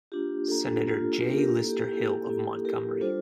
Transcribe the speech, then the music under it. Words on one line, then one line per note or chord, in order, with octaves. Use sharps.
Senator J. Lister Hill of Montgomery.
A#3 D4 F4 G4
A#3 D4 F4 A4
A#3 D4 F4
A#3 D4 F4 G4 A#4
G4 A#4
A#3 E4 A4
G4
G4
A#3 E4 A4
A#3 E4
A#3 E4 G4 A#4
G3 D4 F4 A4 C5